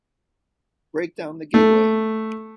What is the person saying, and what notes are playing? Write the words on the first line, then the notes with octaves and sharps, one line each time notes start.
Break down the gateway!
A3